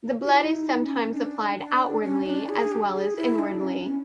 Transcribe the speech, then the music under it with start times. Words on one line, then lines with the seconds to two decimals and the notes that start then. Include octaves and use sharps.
The blood is sometimes applied outwardly as well as inwardly.
0.23 G4
0.28 E4
0.53 D#4
0.83 C#4
1.13 D#4
1.17 D4
1.58 D4
2.03 C#4
2.26 D#4
2.30 D4
2.49 G#4
2.72 G4
2.94 G#4
3.17 E4
3.39 D4
3.61 C#4
3.85 C#4